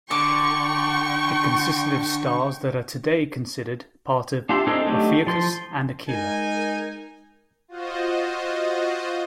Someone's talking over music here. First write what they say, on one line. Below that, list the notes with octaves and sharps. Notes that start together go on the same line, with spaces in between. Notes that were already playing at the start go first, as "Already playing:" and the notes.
It consisted of stars that are today considered part of Ophiuchus and Aquila.
D3 G5 C#6 D6
D4 F4 G4 E5 C6
G#3 C4 D4 D#4 A4
F#3 A3 D4 D#4 G4
F3 C6
G#3 D#4 A#4 G#5
F4 F#4 C5 D#5